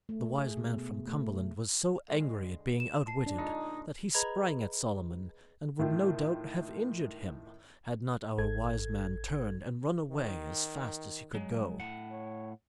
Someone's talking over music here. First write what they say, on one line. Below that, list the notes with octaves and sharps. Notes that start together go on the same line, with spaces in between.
The wise man from Cumberland was so angry at being outwitted that he sprang at Solomon and would no doubt have injured him had not our wise man turned and run away as fast as he could go.
A3
G#4
B2
A3
D3 G#3
E7
A5 C7
D4
A#2 G#3 D#4
G#4 B4 D#5 A#5 B5 G#6
A2 D#3 F4
G#1 A4 G#6
D#3
F#3 G#3
A2 F#5
C#5